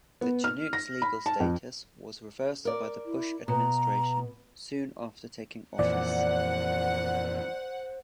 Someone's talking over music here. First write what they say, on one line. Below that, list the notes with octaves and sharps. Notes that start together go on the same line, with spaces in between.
The Chinook's legal status was reversed by the Bush administration soon after taking office.
B3
F6
A#6
B5
A5
F2
A#4 D5
E4
B2 A#5
F2 A#2 E3 C5 D5 F#5